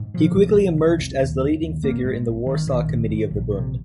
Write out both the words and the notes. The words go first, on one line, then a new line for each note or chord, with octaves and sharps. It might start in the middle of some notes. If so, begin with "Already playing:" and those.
He quickly emerged as the leading figure in the Warsaw Committee of the Bund.
Already playing: G#2
A#2 F3
C2
C2
C2
F1
D#2
F1
D#2
G#1 A#3
G#2 G#3
G#1
G#1 D#3
A#1 D#3
G#2
G#2
A#1
C3